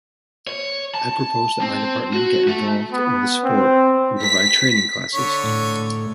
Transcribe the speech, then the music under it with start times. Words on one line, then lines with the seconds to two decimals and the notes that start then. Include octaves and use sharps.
I propose that my department get involved in this sport and provide training classes.
0.47 C#5
0.94 A5
1.61 C4
2.13 F#4
2.48 A3
2.92 B3
3.44 C4
4.22 B6
5.14 D3 C#5
5.43 A2